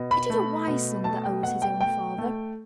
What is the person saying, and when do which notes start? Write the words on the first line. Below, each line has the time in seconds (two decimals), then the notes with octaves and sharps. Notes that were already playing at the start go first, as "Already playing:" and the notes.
It is a wise son that owes his own father.
Already playing: B2
0.11 B5
0.30 A3
0.67 B2
1.04 A3 A5
1.24 G5
1.43 B2 F#5
1.62 G5
1.81 A3 G5
2.18 A3